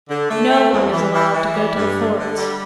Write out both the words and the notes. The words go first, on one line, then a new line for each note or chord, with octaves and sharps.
No one is allowed to go to the forts.
D3
A3
A3
E2
E3
E3
E3
G3
G2
D3
D3
G3